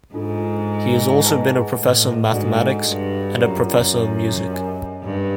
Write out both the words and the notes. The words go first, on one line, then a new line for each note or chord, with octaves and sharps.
He has also been a professor of mathematics and a professor of music.
G#2 D4 F4 A4
G#4 B4 D#5 F#5 A5
A2
G#2 D4 F#4 A4 D5 F#5
G2
F#2 F4 A#4 D5 F#5 A#5
G4 A#4 D#5 G#5
G2